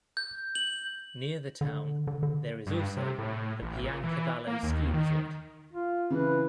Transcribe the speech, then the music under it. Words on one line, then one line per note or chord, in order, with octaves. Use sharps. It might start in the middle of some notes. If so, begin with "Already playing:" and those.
Near the town there is also the Piancavallo ski resort.
G6
F#7
D3
D3
D3
G2
C3
A2
A1
A#2
E3
A#3
D#2
D#3
F4
C#3 E3 B4